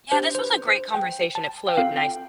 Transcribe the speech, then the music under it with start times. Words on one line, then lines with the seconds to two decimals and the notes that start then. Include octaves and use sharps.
Yeah, this was a great conversation, it flowed nice
0.12 D4 G4 C5
0.35 C5
0.39 B4
0.68 C5
0.95 G5
1.35 A5
1.68 G5
1.77 C4 F4 A4 F5
1.97 G5